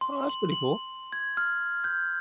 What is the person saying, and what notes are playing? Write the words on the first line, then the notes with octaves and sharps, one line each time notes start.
Oh, that's pretty cool.
C6
F#7
F#7
G#6
F6
G6